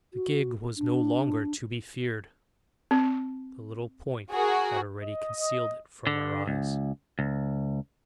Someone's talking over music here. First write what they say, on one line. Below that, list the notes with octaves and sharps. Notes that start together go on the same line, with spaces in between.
The gig was no longer to be feared; the little point had already concealed it from our eyes.
F#4
D4
C4
F#4 G#4 A#4
D#5
D3
C#2
C#2